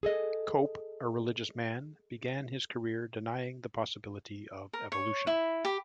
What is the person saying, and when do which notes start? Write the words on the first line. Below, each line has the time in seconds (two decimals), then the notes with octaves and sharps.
Cope, a religious man, began his career denying the possibility of evolution.
0.03 G#4 A4 D#5
4.73 A#4
4.92 C#5
5.27 E4
5.65 G4